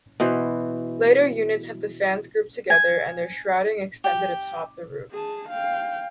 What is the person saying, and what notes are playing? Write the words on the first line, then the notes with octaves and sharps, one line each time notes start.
Later units have the fans grouped together, and their shrouding extended atop the roof.
B2 E3 C5
G#5
G4
G#4 A5
F5 G5